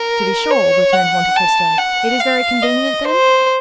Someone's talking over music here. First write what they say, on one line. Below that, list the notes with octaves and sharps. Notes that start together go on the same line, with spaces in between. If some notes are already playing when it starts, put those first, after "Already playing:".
"To be sure," returned Monte Cristo; "it is very convenient, then?"
Already playing: A#4
C#5
F#5
A5
F#5
F5
D#5
C5